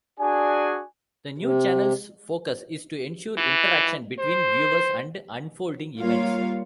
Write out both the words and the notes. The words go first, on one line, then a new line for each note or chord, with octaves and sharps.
The new channel's focus is to ensure interaction between viewers and unfolding events.
D4 F#4 G#4 D5 G#5
C3
E3
C5
G3 A#3 F4 C#5 F5